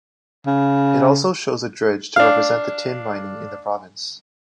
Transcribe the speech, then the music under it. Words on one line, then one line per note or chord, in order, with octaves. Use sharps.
It also shows a dredge to represent the tin mining in the province.
C#3
D4 F5